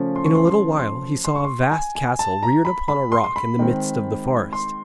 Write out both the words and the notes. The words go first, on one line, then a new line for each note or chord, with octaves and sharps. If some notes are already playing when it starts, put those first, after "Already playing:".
In a little while he saw a vast castle reared upon a rock in the midst of the forest.
Already playing: C#3 F3 A3 C#4
C6
C#6
C6
C6
C6
C6
C#6
C6
G#5
G#5
A5
A#5
B5
B5
C6
C6
B5
D#3 G#3 C4
C6